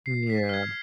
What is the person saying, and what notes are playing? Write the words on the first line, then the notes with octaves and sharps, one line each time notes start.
Mm, yeah.
C7
B6
F6
G#6